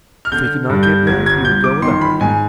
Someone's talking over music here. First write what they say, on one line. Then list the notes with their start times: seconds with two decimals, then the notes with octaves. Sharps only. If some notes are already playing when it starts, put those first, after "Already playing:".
If he could not get leave he would go without it.
0.25 F6
0.32 D3 G6
0.69 G2
0.83 G6
1.07 G1 G#6
1.26 G#6
1.45 G1 G6
1.64 D6
1.82 D#3 C6
2.01 B5
2.21 G#2 G#5